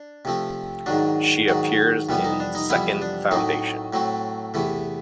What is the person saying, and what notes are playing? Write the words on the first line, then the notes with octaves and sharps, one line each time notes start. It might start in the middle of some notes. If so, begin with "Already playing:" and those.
She appears in "Second Foundation".
Already playing: D4
C3 F3 A3 C4
G#2 D#3 F#3 D4
G#2 D#3 F#3
F2 C3 E3 G3 B3
D#4
D4
D#4
F2 C3 E3 G3 B3 E4
D4
A2 F#3 A3 C4 D#4
A2 F#3 A3 C4
E2 C3 E3 A3